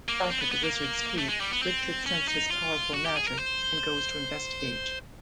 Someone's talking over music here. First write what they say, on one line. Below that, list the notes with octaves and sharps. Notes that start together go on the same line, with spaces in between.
Back at the Wizard's Keep, Richard senses powerful magic and goes to investigate.
A#3
C4
B3
B3
A#3
A3
G#3
G3
B3
C4
C#4
D#4
F4
F#4
G4
G#4
A#4
C5